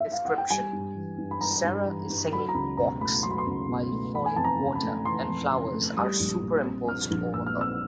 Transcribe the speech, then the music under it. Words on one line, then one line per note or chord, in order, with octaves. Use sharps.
Description: Sarah is singing "Vox" while falling water and flowers are superimposed over her.
E5
F5
F#5
G5
G3 G#5
G2
E3
G2
B5
G3 A#5
G2
E3
G2
F#3 B5
A#5
C#2 B5
B2 A#5
A3 B5
F#3 C6
B5
C6
C#2
B2
A3
E3 B5
G#5
F2 A5
A#5
C#3
B5
A3
E3 C6
F2
C#3
A3
G3 D#6
A#1
A#2
C4
G3 F6
A#1
A#2 E6
F6
C4 E6